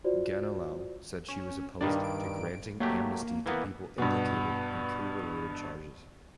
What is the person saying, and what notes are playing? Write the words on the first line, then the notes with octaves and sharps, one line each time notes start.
Ganilau said she was opposed to granting amnesty to people implicated in coup-related charges.
F4 F#4 C5 D5
C#4
G2 D#3 D4 D5
D7
F#3 A3 A#3 G4
E3 A#3 B3
G2 B2